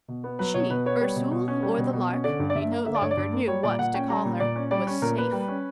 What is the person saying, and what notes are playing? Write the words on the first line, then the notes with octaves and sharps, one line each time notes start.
She, Ursule or the Lark, he no longer knew what to call her, was safe.
B2
B3
F#3 B4
B2 C#5
B2 B4
B3 C#5
G3
B2
B2
C#4
G3
B2
B2
C#4
D3 D5
G2
D5
G2 E5
A#3
D3 E5
D5
G2 C#5
D5
G2
A#3
G3 C#5
A#2 D5
A#2 F#5
C#4 G5
G3 A#5
A#2
A#2 D5
C#4
G3 D5
C#4
A#2 A#4
A#3 B4
G3
C#4